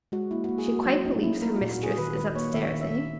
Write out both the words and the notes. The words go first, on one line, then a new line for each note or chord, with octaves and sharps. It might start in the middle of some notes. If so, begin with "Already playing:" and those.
'She quite believes her mistress is up stairs, eh?'
G#3 F#4
A#3 E4
A#3 F#4
G#4
A#3 F#4
F#3 C#4
A#3 D#4
F#3 E4
A#3 A#4
F#4
A#2
F#4
A#2 G#4
D#3 B4
D#3 B4
A#3 C#5
D#3 E5
D#3
E5
D#3